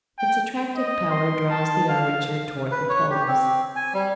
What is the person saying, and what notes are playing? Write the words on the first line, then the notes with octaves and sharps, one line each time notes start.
Its attractive power draws the armature toward the poles.
G5
D#5
C6
A5
F5
B4
C#5
G4
C4
G#5
G3